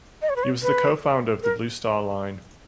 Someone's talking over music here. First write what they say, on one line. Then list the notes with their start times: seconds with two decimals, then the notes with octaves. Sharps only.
He was the co-founder of the Blue Star Line.
0.22 D#5
0.30 C#5
0.36 B4
0.43 C#5
0.63 B4
1.43 A#4